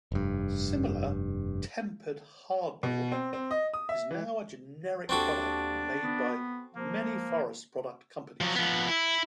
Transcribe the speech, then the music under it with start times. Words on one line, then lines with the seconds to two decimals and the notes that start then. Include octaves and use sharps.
Similar "tempered hardboard" is now a generic product made by many forest product companies.
0.12 F1 G2
2.83 B2
3.12 C4
3.33 C4
3.51 D#5
3.74 D#6
3.89 E5
4.11 E3
5.09 D#2 C4 D4 F#4 A4 D5
6.03 B3
6.75 F3 A#3
8.41 F3 F#3
8.55 F3 B3
8.87 E4